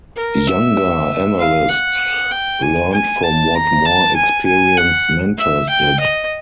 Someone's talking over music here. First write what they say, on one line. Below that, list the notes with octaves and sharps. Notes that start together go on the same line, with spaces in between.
Younger analysts learned from what more-experienced mentors did.
A#4
E5
F5
F#5
G5
G#5
G#5
A5
A#5
A5
G#5
G#5
F#5
E5
G5
D#5